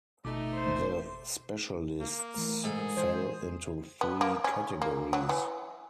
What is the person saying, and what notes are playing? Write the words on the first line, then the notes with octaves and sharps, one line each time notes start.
The specialists fell into three categories.
G1 B2 A3 D#4 D6
C5
A#3
E3 A3 A#4
G#2 G#4 A4
E3 C5 G#6 C7
B3
A#3
C#4
A#3
F#3
E3